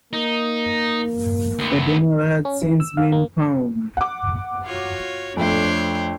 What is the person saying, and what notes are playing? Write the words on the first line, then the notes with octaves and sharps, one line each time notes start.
A donor has since been found.
A#3 D#4
D2 B3
C#4
E3
E6
F5
A#3
F#5 D6
F4 F#4 C#5
F2 A3 D4 C5 C#5